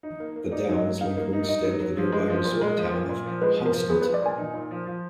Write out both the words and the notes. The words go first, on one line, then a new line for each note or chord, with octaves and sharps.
The downs link Ringstead to the nearby resort town of Hunstanton.
D#4
A#3
A#3
D#4 D5
F#3
D#5
A#3
D#4 F5
A#3
D#4
D#4 D#5
F#3
F#3
F3
G#3
F3
A#2
G#3
F3
A#2
A#2
F3
G#3 B4
F3
A#4
F3
B3 G#4
F3 B4
D5
A#2 G#5
D#4
A#2
F3
F3